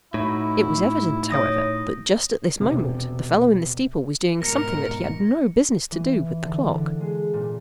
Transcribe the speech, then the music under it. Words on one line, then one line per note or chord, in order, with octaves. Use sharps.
It was evident, however, that just at this moment the fellow in the steeple was doing something that he had no business to do with the clock.
A2 D#4 E4 F#4
C#5 D#6 A#6
E1 C3
G#2 B2 A#4 A#6 C#7
E3
D3
D3
G#3
A#2